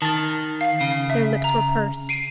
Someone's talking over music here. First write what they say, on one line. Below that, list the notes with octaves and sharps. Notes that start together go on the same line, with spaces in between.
Their lips were pursed.
D#3 A5 A6
F5 C7
C#3
E5
A#5
C7 D7 D#7